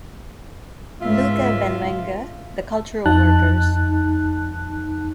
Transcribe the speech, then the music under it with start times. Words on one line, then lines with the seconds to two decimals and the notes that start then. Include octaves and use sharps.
Luca Benvenga The cultural workers.
1.01 C#2 G#2 F4 E5
3.06 F2 D#4 A5 F#6